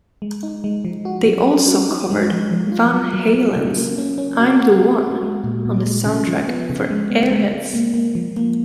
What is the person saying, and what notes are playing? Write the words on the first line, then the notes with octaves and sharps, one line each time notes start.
They also covered Van Halen's "I'm the One" on the soundtrack for "Airheads".
G#3
D#4
G#3
F3
F#4
F#3
C#4
F#4
D#4
G#3
F3
F3
F4
F#3
F#3
F#3
C#3
A#3
C#4
C#4
F#4
F#4
F#4
F#4
G#3
A#2
A#2
G#3
C#3
F3
B3
C#3
G#3
B3
G#3
G#3
A#3
A#3
F3
A#3